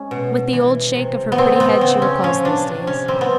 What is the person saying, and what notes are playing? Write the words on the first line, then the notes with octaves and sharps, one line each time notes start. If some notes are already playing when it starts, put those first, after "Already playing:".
With the old shake of her pretty head she recalls those days.
Already playing: G#3 C#4
B2
E3
C3
B3
F#3 C4
B3
C#3 C4
C#4
F3 C#4
D4
C3
C#4
G3 C4
B3